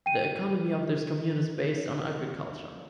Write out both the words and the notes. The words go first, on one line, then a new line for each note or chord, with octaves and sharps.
The economy of this commune is based on agriculture.
G5 D#7